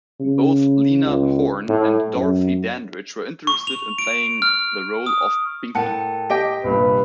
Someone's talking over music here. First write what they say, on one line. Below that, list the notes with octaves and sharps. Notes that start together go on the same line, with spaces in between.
Both Lena Horne and Dorothy Dandridge were interested in playing the role of Pinky.
C#3
C#2
A2
F#2
C#6
F7
D7
F6
D#6
A2 A#4 F#5 G5 A5 C#7
G4 D#5 G5 B6
C2 G2 A#2 B4